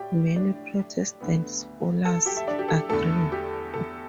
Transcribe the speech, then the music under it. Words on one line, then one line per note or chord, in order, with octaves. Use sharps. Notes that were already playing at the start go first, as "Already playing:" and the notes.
Many Protestant scholars agree.
Already playing: A2 A3 G4 D5 G5
D4 D5
D2 D3 B3
A4 A5
G4 G5
E5
D4 D5
G4
A4
E2 D3 A3 A4
G4
A4